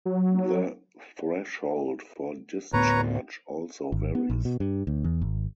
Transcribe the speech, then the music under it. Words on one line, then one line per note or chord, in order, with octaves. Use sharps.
The threshold for discharge also varies.
F#3
D2 A2 B3 B4 C#5 A#5
G#1
B3
A#1
B2
G2
D2
E2
G#1